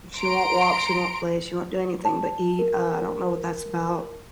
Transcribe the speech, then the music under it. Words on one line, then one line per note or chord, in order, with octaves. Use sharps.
she won’t walk, she won’t play, she won’t do anything but eat, uh, I don’t know what that’s about,
A#5 C6 D7
A5
A#4